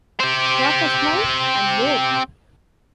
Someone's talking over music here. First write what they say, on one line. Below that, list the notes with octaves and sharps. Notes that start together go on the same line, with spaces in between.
Crack a Smile... and More!
C4 G4